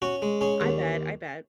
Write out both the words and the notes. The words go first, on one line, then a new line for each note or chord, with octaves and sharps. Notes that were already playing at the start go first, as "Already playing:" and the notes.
I bet, I bet.
C#4 F#4
G#3
C#4 G#4
D#2